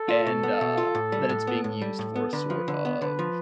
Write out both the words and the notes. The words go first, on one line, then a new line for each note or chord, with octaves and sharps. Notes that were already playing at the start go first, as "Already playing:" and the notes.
and, uh, that it's being used for a sort of,
Already playing: A4
F4
B2
B3
B2
F4
A2
G3
A2
B3
A2 A4
G3
A2
B3
D3 B4
F3
D3
B3
D3 B4
F3